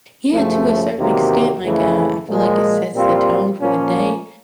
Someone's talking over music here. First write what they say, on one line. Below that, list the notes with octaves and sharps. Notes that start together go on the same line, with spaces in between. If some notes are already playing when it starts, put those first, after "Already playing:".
Yeah, to a certain extent, like, uh, I feel like it sets the tone for the day,
F#2 C#3 F3 A3
E2 C3 D#3 F#3 A#3
F2 C#3 E3 A3
A#2 F3 G#3
A#2 G3 C4 F4
A#2 F3 A#3 C#4